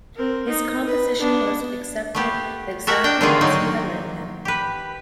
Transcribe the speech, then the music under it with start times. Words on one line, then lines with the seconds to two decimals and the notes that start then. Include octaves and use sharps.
His composition was accepted exactly as he had written it.
0.16 C4 A#4
0.49 D#4
0.87 B4
1.19 B3 D4
2.15 A3 B3 G4
2.87 F#4 G4 A4 A#4 E5 F#5
3.04 D4 G5
3.21 D3 D#3 A3 A#3 F4 G#4
3.41 F#3 A#3 D#4 G5
4.45 G4 B4